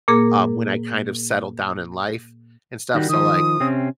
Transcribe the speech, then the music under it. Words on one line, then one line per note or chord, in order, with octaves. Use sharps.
um, when I kind of settled down in life and stuff, so like
A#2 A#3 G#4 A#4
D#3 G3 F#4
D#3 F3 D#6
C3 C4 C#4